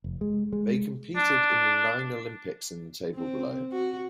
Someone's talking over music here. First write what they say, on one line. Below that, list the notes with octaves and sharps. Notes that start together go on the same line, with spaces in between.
They competed in the nine Olympics in the table below.
F1
G#3
G#3
D4
C4
F#4